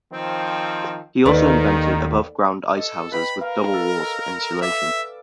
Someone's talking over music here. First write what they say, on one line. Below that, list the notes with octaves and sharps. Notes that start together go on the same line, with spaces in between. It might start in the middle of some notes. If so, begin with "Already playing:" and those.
He also invented above-ground ice houses, with double walls for insulation.
D#3 F3 C4
D#2 D#3 A4 B4 D5
A4 D#5
B4 G5 B5
A#4 F5
A4
D5 E5